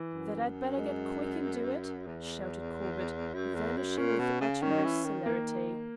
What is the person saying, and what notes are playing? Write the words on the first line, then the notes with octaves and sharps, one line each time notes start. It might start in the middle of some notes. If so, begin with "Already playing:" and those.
"That I'd better get quick and do it," shouted Corbett, vanishing with the utmost celerity.
Already playing: E3
F#2
G#3
E2
F#2
E2
F#2
A#2 C#4
B2
C#3
D#3 C#4
D#4
C#4
E3
D#3
A#3